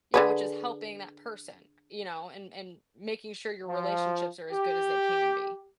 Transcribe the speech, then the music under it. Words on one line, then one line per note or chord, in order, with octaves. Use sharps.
Yeah, which is helping that person, you know, and and making sure your relationships are as good as they can be.
D3 G#4 B4
F3
G4